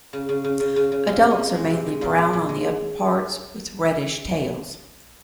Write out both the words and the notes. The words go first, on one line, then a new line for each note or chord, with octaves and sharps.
Adults are mainly brown on the upperparts, with reddish tails.
C#3
C#3
C#3
C#3
C#3
C#3
C3 F4
C3
D#4
F3
G#3
C3
G#3
A#2 F4
A#2
A#2
G#3